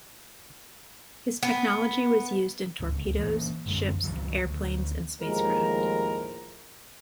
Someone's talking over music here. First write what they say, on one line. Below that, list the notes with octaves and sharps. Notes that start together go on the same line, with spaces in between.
His technology was used in torpedoes, ships, airplanes, and spacecraft.
B3
D1 C#2
A#2 E3 A#3
A1 F#2 D3 G#3
C#2 D#3 F3 F#3
D2
D#2 A2 F3 G#3 A#4 A#5